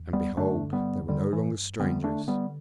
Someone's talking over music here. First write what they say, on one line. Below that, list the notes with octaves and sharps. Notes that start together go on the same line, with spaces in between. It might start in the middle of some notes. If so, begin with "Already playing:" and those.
And behold, they were no longer strangers.
Already playing: E2
G3 B3
G2 D3 A3 D4
G3 B3
D3 G3
E3
D2 D3 G3 B3
A3 D4
G3 B3